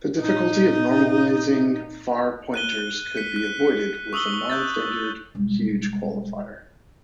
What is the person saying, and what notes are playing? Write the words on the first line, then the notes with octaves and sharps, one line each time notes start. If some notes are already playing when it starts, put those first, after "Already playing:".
The difficulty of normalizing far pointers could be avoided with the non-standard huge qualifier.
A#2 D#4
F#6 D#7 G7
B6 C#7
F#6
C#6 D#6 E6 F#7 G7
C#6
F#6 G6 A6
E1 G3